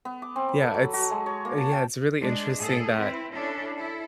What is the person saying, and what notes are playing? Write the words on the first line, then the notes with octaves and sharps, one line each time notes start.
Yeah, it's uh, yeah, it's really interesting that
B3
D6
C4
B5
A4
F#3
F#4
G#3
C#5
A#3
A5
G5
G#3 D4
A2 G#4 A4
C4 E4 B4
C#4 D4 E4 A4
E4 A4